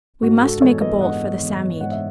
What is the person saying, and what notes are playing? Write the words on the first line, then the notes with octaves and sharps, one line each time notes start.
We must make a bolt for the Psammead.
G#2 F#4
F#4 A4
E3 G#3 B3 A4 C#5
B4 D#5
G#2 D#5 F#5
E3 G#3 B3
G#2 F#5
E5